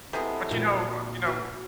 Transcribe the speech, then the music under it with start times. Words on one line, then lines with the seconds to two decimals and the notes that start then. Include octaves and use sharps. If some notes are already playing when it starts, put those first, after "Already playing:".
But, you know, uh, you know
0.13 C3 G#3 A3 B3 E4
0.51 A#2 F3 D#4 F#4 A#4 G5
0.88 F#4
1.27 F#3